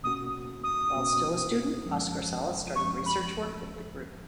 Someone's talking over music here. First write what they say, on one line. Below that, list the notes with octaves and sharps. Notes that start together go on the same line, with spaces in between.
While still a student, Oscar Sala started research work with the group.
B2 A#3 C#4 F#4 D#6
D#6
B2 A#3 C#4 F#4
F#2 F3 G#3 C#4
F#2 F3 G#3 C#4 C#6
B5